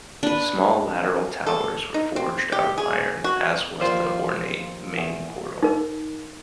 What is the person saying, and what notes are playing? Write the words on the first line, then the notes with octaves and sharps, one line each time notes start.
Small lateral towers were forged out of iron, as was the ornate main portal.
D4 B4
A4
D#4
C4
G4
G#4
F#4
D#2 F3 F4 C5 D5
E2
D#4 A#4